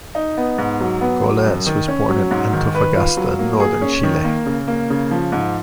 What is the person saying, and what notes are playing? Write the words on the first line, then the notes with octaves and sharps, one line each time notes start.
Goles was born in Antofagasta, northern Chile.
D#4
B3
G#2
F#3
B3
F#3
F#2
D#3
C#4
F#3
G#2
D#3
B4
F4
F#3
A#3
G#4
C#4
D#3
A#3
C#3
A#3
C#3
F3
G#2